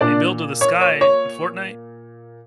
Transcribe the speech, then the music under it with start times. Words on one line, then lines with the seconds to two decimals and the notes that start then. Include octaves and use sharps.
They build to the sky in Fortnite?
0.01 A#2 D4 D5
0.61 C#5
0.81 C#5
1.01 C#5